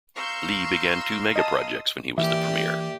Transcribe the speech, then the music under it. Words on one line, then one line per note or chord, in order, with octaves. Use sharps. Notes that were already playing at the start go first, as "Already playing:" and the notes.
Li began two megaprojects when he was the Premier.
F5 A#5 C6 C#6 E6 G6 C7
D#5 A5 D#6
E3 A#3 G4 D5 E5